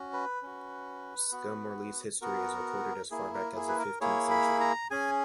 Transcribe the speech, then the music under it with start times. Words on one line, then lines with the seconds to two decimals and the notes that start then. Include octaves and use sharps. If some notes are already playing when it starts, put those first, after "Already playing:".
Skelmorlie's history is recorded as far back as the fifteenth century.
Already playing: C#4 F#4
0.13 B4
0.42 C#4 F#4
1.32 B3 F#4
2.21 B3 F#4 A#4
3.11 A#3 E4 G#4
3.34 A#4
3.56 G#4
3.69 B4
3.79 A#4
4.01 A#3 E4 G#4 C#5
4.31 B5
4.61 A#5
4.91 C#4 G#4 G#5